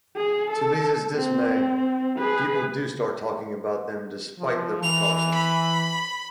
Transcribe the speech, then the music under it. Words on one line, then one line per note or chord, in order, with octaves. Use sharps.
To Liza's dismay, people do start talking about them despite their precautions.
G#4
A4
C4
G#4 B4
F3
E3 F7
B5